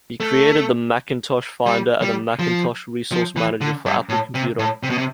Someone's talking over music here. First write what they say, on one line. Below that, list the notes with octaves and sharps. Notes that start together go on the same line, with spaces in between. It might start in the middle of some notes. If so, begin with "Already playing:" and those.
He created the Macintosh Finder and the Macintosh Resource Manager for Apple Computer.
A3
G3
G3
F3
F3
E3
D3
G2
A2
C3
A2
C3
B2
C3